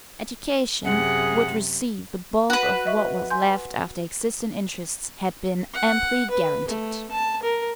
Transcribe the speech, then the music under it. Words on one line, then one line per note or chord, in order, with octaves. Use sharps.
Education would receive the bulk of what was left after existing interests had been amply guaranteed.
F#2 C3 G#4 F#5
F#4 B4
D#5 E5 C#6
G#5 C6 G6
F#5
B4
A3
A5
A#4